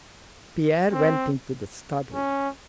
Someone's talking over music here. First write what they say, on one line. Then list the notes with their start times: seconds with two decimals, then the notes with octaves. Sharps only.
Pierre went into the study.
0.92 C4
2.13 C#4